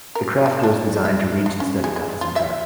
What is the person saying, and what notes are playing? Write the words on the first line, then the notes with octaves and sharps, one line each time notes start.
The craft was designed to reach and study Alpha Centauri.
A#4
F3
D4
E5
D4
C#4
G#4
G#4
F4
E5